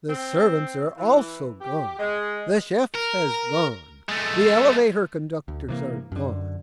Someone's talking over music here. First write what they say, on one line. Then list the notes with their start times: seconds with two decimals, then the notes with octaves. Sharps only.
The servants are also gone; the chef has gone; the elevator conductors are gone.
0.09 C4
0.98 E3
1.61 G4
1.99 G#3
2.94 A#4
4.09 G#3 A3
5.48 D2
5.69 C3 E3 A#3
6.12 F#2 D3